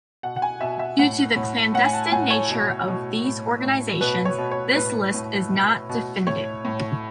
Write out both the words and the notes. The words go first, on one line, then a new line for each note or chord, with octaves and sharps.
Due to the clandestine nature of these organisations, this list is not definitive.
B2 F#5
F#5
G#5
B2 E5
E5
A2 F#5
A2
A2 F#5
G#5
A5
A2 G#5
C#5
B2
B2
A2
A2
B2 B4
C#5
B2
C#5
A2 B4
A2
B2
B2
A2 C#5
A2